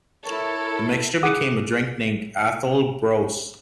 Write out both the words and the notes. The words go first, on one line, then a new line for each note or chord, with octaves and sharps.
The mixture became a drink named Atholl Brose.
E4 A4 A#4 C#5
G#4 F#5 D6 D#6